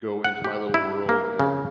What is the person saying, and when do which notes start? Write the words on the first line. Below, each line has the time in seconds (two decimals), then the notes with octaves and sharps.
go into my little world and
0.24 F#5
0.44 G4
0.74 E4
1.09 A#3
1.39 C#3